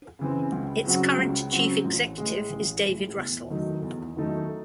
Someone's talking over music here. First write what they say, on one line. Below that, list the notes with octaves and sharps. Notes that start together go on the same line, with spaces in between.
Its current Chief Executive is David Russell.
C#3 E3 C4
C#2
C#3 F#3 C4 F#4
C#2
C#3 F#3 C4 F#4
A1
A2 G#3
A1
A2 G#3
E2
D#3 F#3 A3 D#4
E2
D#3 F#3 A3 D#4